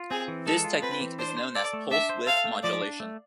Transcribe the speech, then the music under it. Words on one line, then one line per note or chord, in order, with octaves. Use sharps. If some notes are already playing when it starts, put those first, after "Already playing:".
This technique is known as pulse-width modulation.
Already playing: F4
C4 G#4
E3
G#3 A4
F4
C4 B4
E3
D4 C5
C5
A4 D5
A3
D4 E5
C5
A4 F5
A3
F3 D5
D4
A3